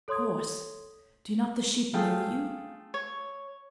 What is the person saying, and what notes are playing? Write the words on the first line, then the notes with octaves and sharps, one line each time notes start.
"Of course; do not the sheep know you?"
A4 C#5 C6 D#6 G#6
F3 A3 G#4 F5 G5
C#5